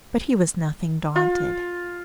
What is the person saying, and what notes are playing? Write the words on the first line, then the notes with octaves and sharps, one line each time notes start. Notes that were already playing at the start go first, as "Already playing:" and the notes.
'But he was nothing daunted.
F4